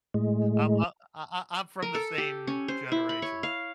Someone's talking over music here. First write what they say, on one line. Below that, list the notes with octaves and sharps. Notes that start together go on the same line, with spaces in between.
Um, uh, I I I'm from the same generation.
A2 G#3
A#4
A4
G4
C#4
C5
E4
B5
C#5
F5